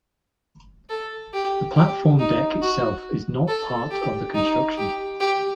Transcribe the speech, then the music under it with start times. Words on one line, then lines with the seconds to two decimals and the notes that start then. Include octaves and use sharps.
The platform deck itself is not a part of the construction.
0.89 A4
1.33 G4
1.76 G4
2.19 D#4
2.62 F#4
3.48 A4
3.91 G4
4.34 D#4
4.77 G4
5.20 G4